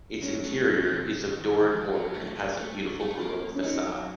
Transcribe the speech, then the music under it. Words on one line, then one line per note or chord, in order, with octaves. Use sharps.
Its interior is of Doric order and has a beautiful baroque facade.
F#3 C#4
A3
F#3
C3
D#3
D#3
F3
F#3
A3
A#3
A3
F#3
A3
A#3
C#4
F#3 D#4